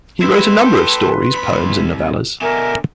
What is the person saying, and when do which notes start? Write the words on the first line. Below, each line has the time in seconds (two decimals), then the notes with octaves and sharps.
He wrote a number of stories, poems and novellas.
0.22 C4 E4 B4 C6
0.62 A4 G5
1.34 C2 B5
2.41 B2 D3 A#4 E5 G#5